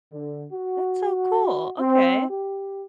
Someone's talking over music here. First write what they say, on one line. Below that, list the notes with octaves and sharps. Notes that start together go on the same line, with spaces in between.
That's so cool, okay.
D3
F#4
C4
G4